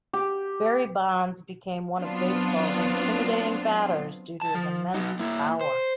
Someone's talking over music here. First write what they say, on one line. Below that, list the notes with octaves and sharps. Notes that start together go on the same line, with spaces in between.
Barry Bonds became one of baseball's intimidating batters due to his immense power.
G4
F#3 B3 C4 D4 F4
B1 A5
F3
F#3 D#4
A#3 E4
C5